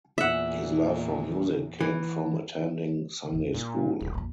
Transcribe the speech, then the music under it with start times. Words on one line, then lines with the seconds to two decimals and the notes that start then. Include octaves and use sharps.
His love for music came from attending Sunday school.
0.18 E2 A#2 E5 F#5
1.81 E3
3.33 A#1 E2
3.54 A#2 D4
4.01 D#1 B1
4.14 A#1 F2